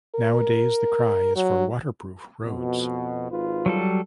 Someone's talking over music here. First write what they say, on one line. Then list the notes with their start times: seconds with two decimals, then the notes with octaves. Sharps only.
Nowadays the cry is for waterproof roads.
0.15 A#4
1.36 F#3
2.44 F2 B2
3.31 G#1 F4 B4
3.66 F#3 G3 A4